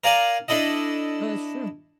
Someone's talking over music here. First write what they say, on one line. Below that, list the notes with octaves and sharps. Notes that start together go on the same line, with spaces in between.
No, that's true.
A#4 D5 F5 G#5
D4 E4 A4 D#5